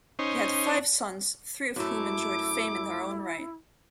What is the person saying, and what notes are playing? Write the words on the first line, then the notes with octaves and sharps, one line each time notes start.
He had five sons, three of whom enjoyed fame in their own right.
C#4 D#4 C5
F#2 A3 E4 D6